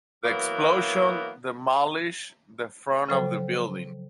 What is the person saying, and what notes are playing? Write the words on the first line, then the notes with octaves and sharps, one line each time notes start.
The explosion demolished the front of the building.
E3 F#3 A#3 B3
C#3 F3 F#3 A4 C5 G5